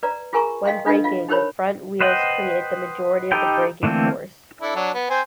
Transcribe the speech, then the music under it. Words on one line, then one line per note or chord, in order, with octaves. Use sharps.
When braking, the front wheels create the majority of the braking force.
B4 D5 A#5
F4 G#4 A#4 G#5 A#5 C#6
D#5 F5 G5 C6
D4 F4 A4 B4 D#5
F4 F5
D#4 G4 A#4 C5 C#5 B5
B4 C5 D#5 F#5 G5
D#4 G4 A4 B4 G5
D3 E3 A3 A#3 C4
D4 E4 A4
F#3 D4
B3
C4 C5 G#5